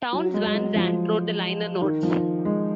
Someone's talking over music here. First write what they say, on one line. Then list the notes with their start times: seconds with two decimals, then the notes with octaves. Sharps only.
Townes Van Zandt wrote the liner notes.
0.13 F#3
0.34 G#3
0.45 G#3
0.55 F#3
0.76 F3
1.81 D#3
2.03 F3
2.45 G#3